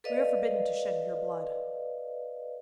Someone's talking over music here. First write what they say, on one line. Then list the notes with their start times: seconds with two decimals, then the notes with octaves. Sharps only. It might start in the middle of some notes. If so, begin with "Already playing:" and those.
"We are forbidden to shed your blood."
0.04 A4 B4 C5 D5 D#5 F5